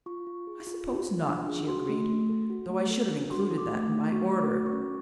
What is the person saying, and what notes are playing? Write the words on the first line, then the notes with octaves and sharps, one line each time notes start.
'I suppose not,' she agreed, 'though I should have included that in my order.'
F4 C#6
F4
G#4
F4
F4
F4
D4
G#4
F#4 C6
A3
A3
A4
F#4
A3
A4
D4
F#4 C6
A4
D6
A3
D6
A3
F#4 C#6
A3
D6
F#4
C#6
C#4